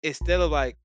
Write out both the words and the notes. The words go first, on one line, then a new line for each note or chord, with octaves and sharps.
instead of, like,
A#1